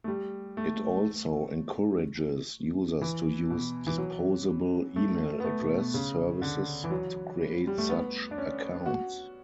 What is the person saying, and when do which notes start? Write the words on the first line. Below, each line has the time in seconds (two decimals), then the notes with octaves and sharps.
It also encourages users to use disposable email address services to create such accounts.
0.04 A3
0.08 G3
0.57 A3
3.01 E3
3.50 B2
3.87 E3
3.98 F#3
4.96 A3
5.40 B3
5.44 A3
5.61 B2
5.78 B2
5.94 C#3
6.42 D3
6.84 E3
6.91 F#3
7.67 G3
7.78 A3
7.89 B3
8.31 D4
8.38 C#4
8.86 F#4